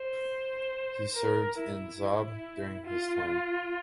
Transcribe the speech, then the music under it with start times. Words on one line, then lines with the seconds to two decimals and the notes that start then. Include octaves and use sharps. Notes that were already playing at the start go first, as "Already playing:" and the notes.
He served in Zhob during this time.
Already playing: C5
1.15 A#4
1.58 E4
2.01 E4
2.86 F4